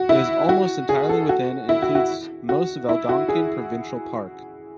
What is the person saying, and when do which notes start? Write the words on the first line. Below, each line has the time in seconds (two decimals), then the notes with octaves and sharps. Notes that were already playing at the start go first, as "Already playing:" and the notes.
It is almost entirely within and includes most of Algonquin Provincial Park.
Already playing: F#4
0.09 E4
0.49 F#4
0.89 G#4
1.09 A4
1.29 F#4
1.69 E4
1.82 F#4
1.95 F#4
2.49 F#4
2.89 E4
3.09 F#4
3.29 G#4